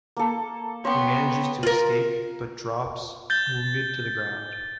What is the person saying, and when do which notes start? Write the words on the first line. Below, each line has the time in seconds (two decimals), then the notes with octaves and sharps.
He manages to escape, but drops, wounded, to the ground.
0.17 A#3 A4
0.85 B3 C#5 G5 C6
1.63 F4 A#4
3.30 G6 A6 G7